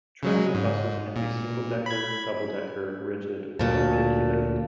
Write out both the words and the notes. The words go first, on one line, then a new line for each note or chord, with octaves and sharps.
Transit buses can be single-decker, double-decker, rigid or articulated.
C#3 F#3 G#3
G#2
A#2
B5 G#6
D2 A#2 A5